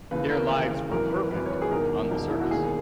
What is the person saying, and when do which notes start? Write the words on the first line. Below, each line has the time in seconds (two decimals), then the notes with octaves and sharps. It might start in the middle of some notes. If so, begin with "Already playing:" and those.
Their lives were perfect - on the surface.
0.11 D#2 C#3 E3 B4
0.31 A#4
0.50 D#2 C#3 E3
0.91 G#1 F#2 E3 A#4
1.11 B4
1.31 G#1 F#2 E3 B4
1.46 C#5
1.51 B4
1.62 G#4
1.71 E1 E2 D#3 A#4
2.11 E1 E2 D#3
2.30 E4
2.40 F#4
2.51 E1 D#2 D#3 G#4